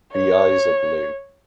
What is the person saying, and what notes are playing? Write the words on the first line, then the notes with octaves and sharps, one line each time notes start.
The eyes are blue.
C#5